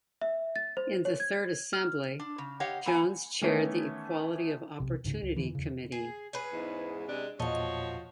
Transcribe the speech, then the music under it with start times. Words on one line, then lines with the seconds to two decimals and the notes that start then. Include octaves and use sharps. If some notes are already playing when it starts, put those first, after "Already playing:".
In the third Assembly, Jones chaired the Equality of Opportunity Committee.
0.22 E5
0.56 A6
0.77 C5
1.05 C#5
1.20 G#6
1.73 F6
2.19 D4
2.38 C#3
2.60 G4 C#5 D#5 F5 F#5
2.86 E3 A#3 B3 F#5 G#5
3.41 D#3 E3 A3 B3 C#4
4.80 B1 C3
5.04 C#2 G#2 C#3
5.23 C#2
5.36 F2 D3 E3
5.55 E2 C#3
5.92 G#4
6.33 C#4 G#4 B4
6.52 E2 G#2
7.06 C3 G#3 D4
7.40 E2 A#2 F3 F#4 C#5 D#5 A5